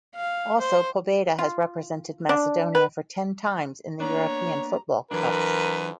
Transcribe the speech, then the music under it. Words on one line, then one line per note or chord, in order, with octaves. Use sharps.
Also, Pobeda has represented Macedonia for ten times in the European Football Cups.
F5
C5
F4
D4
B4
A#3 B3 D4 C#5 A#5
F2 E3 F#3 D4 A#4 B4